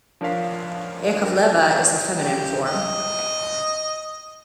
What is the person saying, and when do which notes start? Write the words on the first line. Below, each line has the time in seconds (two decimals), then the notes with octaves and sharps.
Yakovleva is the feminine form.
0.21 F3 D4 A#4 C#5 F5 B6
1.22 G3 D4 A#4 C5
2.17 G4
2.66 D#5